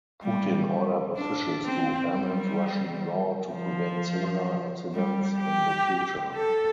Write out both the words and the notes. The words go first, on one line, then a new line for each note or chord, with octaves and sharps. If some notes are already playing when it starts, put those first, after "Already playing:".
Putin ordered officials to amend Russian law to prevent similar accidents in the future.
G3
D4
C4
G3
F3
G3
G4
A4